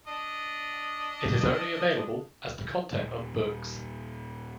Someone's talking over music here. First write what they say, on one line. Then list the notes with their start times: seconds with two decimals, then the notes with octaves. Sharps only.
It is only available as the content of books.
0.07 D4 D#5
2.95 D#1 G#1